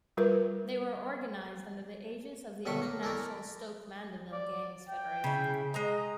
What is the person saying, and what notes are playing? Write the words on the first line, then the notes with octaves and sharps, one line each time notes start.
They were organised under the aegis of the International Stoke Mandeville Games Federation.
G3 F4 A#4 B4
B1 D3 D#3 E5 C#6
A#3
A3 E4 A#4 D5
D5
G5
C#3 E4
G#3 D#5 A#5